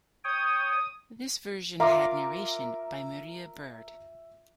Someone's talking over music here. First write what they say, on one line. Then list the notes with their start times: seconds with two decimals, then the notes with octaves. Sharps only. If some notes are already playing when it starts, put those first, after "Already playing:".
This version had narration by Maria Bird.
0.24 C#5 G5 D#6
1.80 F4 A#4 E5 A#5 D6